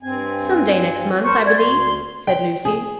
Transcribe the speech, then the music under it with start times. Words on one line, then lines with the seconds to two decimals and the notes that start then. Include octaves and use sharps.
"Some day next month, I believe," said Lucy.
0.03 G2 C4 G#5
1.24 A#4 C5 C#6
1.45 D5 G#6
1.58 D2 C6
2.27 G5
2.65 G#4